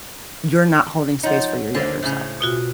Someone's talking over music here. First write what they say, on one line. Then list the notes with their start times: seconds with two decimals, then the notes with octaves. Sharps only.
You're not holding space for your younger self."
1.23 F3 D#4 C#5 F#5
1.75 D3 A#3 C5
2.03 A2 C#3
2.41 B2 F4 F#4